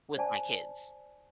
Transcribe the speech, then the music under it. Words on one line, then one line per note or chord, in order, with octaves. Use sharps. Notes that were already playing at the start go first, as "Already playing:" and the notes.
with my kids."
C5 D5 G#5 A5